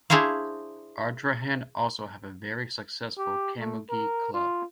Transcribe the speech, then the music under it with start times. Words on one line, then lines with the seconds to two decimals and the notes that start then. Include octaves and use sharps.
Ardrahan also have a very successful Camogie club.
0.10 D4 E4 G#4 C5 C#5 F5
3.17 G4
3.58 A3
3.89 A#4
4.34 F4